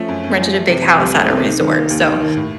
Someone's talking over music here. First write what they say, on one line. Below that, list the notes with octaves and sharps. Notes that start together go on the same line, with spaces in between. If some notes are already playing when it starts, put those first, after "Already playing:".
rented a big house at a resort. So,
Already playing: F3 A3 C#4
F#2
C#4
F3
A3
C3
F3
C2
A3
C3
D#4
D#3
A#3
D#2
D#4
D#3
A2